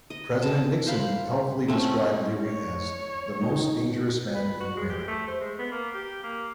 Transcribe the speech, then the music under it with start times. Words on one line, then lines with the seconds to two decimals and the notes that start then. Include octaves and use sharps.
President Nixon helpfully described Leary as "the most dangerous man in America".
0.10 D#5
0.42 A5
0.87 C5 F5 B5
1.68 A3 C4 C#4
2.42 C#5
3.41 D#4
4.35 B4
4.61 F#4
4.77 G#3
4.90 G4
5.08 A3
5.28 C5
5.41 G#3
5.59 B3
5.72 A#3
5.94 G4
6.23 A#3